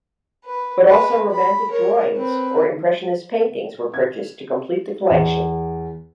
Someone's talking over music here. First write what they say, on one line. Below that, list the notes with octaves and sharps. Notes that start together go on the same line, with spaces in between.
But also Romantic drawings or Impressionist paintings were purchased to complete the collection.
B4
G#3 B4
B5
A#4 C#5
C4 B4
G#6
E2